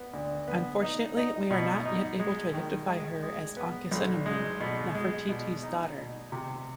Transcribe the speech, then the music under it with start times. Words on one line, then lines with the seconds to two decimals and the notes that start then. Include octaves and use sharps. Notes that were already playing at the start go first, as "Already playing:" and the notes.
Unfortunately we are not yet able to identify her as Ankhesenamun, Nefertiti's daughter.
Already playing: B3
0.13 D2
0.48 B3
0.82 D#4
1.17 D#4
1.51 B2
1.85 D#4
2.20 G#3
2.54 D#3
2.88 G#3
3.23 G#3
3.57 B3
3.92 B1
4.26 G#3
4.60 B2
4.95 G#3
5.29 B2
5.63 D#4
5.97 B2
6.32 C3